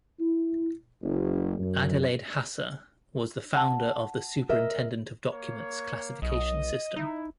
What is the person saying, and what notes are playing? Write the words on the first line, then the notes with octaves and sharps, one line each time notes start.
Adelaide Hasse was the founder of the Superintendent of Documents classification system.
E4
F#1
F#2
F#5 A5
A#4 D#5 E5
A#3 C#5
B1 D#5
D#4 E4